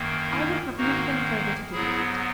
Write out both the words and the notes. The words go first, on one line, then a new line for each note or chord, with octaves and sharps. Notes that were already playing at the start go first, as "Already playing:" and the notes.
I will have nothing further to do with it.
Already playing: F#2 D#3 A#3
C#4 E4
G#2 D#3 A#3 D#4 F#4
G#2 F#3 B3 E4 G#4